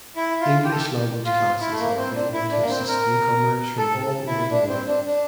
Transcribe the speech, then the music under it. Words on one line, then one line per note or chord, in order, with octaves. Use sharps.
English language classes are available to assist newcomers from all over the world.
E4
F4
G4
A4
G4
F4
E4
A3
A#3
C4
D4
E4
D4
A#3
C4
A#4
A4
A4
E4
D4
C4
D4
D4